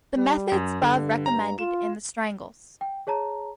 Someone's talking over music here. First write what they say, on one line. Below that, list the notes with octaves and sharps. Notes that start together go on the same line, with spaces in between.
The methods above recommended in the strangles.
G3
F#2
G2 D3
A#5
F4 E7
G5
G#4 C#5 A5 A#5